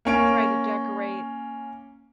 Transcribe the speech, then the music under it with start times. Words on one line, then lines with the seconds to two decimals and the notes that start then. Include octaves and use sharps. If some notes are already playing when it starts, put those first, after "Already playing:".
try to decorate
0.05 A#3 C#4 D7